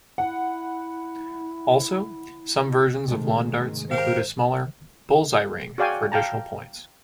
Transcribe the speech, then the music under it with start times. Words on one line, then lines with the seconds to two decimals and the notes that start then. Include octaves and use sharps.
Also, some versions of Lawn darts include a smaller "bulls-eye" ring for additional points.
0.18 E4 F#5
3.08 G#2 C3 D#3 G#3 A3
3.90 G4 A#4 C5 F5
5.78 F#4 G#4 D5 F5 G5 G#5
6.12 F5 G5 A5 A#5